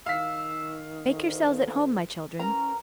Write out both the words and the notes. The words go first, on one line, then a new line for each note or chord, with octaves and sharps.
Make yourselves at home, my children.'
D#3 F5 E6 B6
D2
E3 F#3 C#4 A#4 A#5